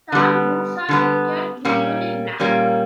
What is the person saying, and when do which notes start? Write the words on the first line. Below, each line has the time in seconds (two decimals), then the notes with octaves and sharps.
Tall boots are required, usually black.
0.12 D3 G3 B3
0.89 D3 G3 B3
1.65 A#2 G3 A#3 C#4
2.40 A#2 G3 A#3 C#4